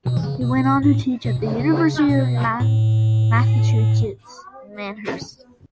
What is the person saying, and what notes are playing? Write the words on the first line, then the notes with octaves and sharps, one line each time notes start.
He went on to teach at the University of Massachusetts Amherst.
B2
E3
C#3
B2
B2
A2
B2
C#3
C#3
B2
A2